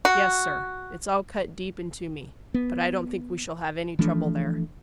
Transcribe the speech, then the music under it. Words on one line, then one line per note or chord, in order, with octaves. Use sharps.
"Yes, sir; it's all cut deep into me, but I don't think we shall have any trouble there."
F#4
B3
E3 F3 A3 D4